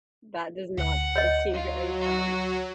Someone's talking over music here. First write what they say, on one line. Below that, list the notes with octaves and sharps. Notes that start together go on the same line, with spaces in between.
That does not can't seem very fun.
D2 F#5
C#5 D#5
F#3 F4
F#4